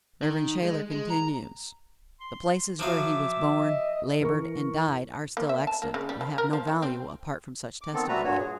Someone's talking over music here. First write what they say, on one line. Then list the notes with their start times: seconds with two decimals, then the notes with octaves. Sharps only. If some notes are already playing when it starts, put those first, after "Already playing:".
Rev. Shayler continues: "The places where he was born, labored and died are still extant, and have no value apart from such testimony."
0.23 D#3
0.63 G#3
0.91 G#3
1.10 A#5
2.20 C6
2.79 F3 F#3 E5 F5 D6
3.58 D#5
4.20 E3 A#4 C#6
5.37 A#3
5.49 E5
5.67 A5
5.82 A#3
5.94 C#3
6.09 G3
6.21 F3
6.38 A#4
6.53 F3
6.67 D#3
6.82 C4
7.81 D6
7.94 D#3 B3 C4 A4
8.09 G3 A3 F#4 B4 A#5
8.24 G2 A#2 F#4 C#5
8.40 G#4